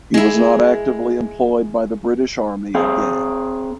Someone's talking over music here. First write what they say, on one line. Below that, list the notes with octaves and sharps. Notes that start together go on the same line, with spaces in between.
He was not actively employed by the British Army again.
G#3 E4
C4 G#4 F5